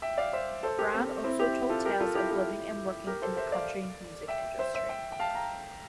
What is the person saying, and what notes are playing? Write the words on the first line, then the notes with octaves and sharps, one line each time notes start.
Brown also told tales of living and working in the country music industry.
E5 G5
D5 F5
C5 E5
A4 C5
G4 A#4
C4
C4 E4
E4 G4
F4 A4
G4 A#4
F4 A4
E4 G4
E4 G4
G4 A#4
A4 C5
C5 E5
D5 F5
E5 G5
C5 E5
C5 E5
E5 G5
G5
F5 A5
G5 A#5